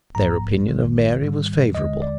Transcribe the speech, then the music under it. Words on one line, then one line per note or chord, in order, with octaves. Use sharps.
Their opinion of Mary was favourable.
A#1 G#2 F3 A#3 A#5
G#1 G2 D#3 G#3
G#2 D#3 G3
D#2 D3 G#3 D#5
D5